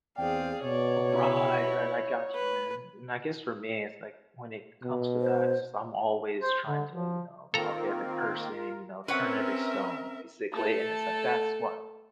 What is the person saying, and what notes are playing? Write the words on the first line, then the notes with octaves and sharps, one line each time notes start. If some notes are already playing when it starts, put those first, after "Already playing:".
Right, right, I got you, man, and I guess for me, it's like when it comes to that, it's just, I'm always trying to, you know, talk to every person, you know, turn every stone basically, and it's like, "That's what."
E2 C4 G#4 D5 F5 G5
B2 C#5 D5
E4
B4
B2
C5
C5
D3
F3
D#3 A#3 C4 F4 A4 A#4 A#5
C4 C#4 A#4 B4 C#5 E5 F#5
A3 A4